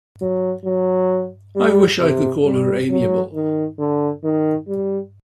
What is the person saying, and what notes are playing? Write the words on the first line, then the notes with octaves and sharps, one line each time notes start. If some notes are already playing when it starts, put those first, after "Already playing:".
I wish I could call her amiable.
F#3
F#3
G3
C3
G3
F#3
D#3
D3
D#3
G3